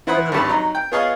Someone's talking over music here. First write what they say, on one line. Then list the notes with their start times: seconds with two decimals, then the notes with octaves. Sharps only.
I love it.
0.07 E3 E4 C5 F#5 B5 D#6
0.32 G#1 G2 G4 A5 B5
0.49 F#3 D#4
0.75 G5
0.92 B3 F4 G#4 C#5 D#5 F5